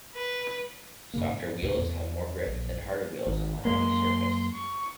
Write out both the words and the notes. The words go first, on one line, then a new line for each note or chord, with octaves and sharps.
Softer wheels have more grip than harder wheels on any surface.
B4
F#2 C#3 A#3
G#2
D2 G#2 C3
E2
A#1
G#1
F#2 G#3 A#3 C6
C#6